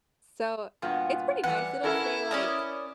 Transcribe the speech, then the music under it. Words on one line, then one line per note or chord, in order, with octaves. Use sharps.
so, it's pretty nice. It'll stay, like
G2 A#2 B3 F4 F#4
E3 G3 B4 F#5
C#4 E4 A4 A#4
C#4 A#4 D5 D#6